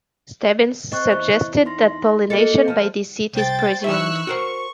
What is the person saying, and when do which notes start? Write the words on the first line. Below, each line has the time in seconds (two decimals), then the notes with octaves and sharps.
Stebbins suggested that pollination by deceit is presumed.
0.92 C4 D#5 C#6 F#6
1.12 E2
1.66 D#4 C6 A#6
2.30 A#3 F#4 A4 D#5 C#7
2.68 F3 A5 F6
3.33 C2 C5 G5 A6
3.84 E3 D#4 E5 C#6 E6 F#6
4.27 F#4 A#4 C5 C#6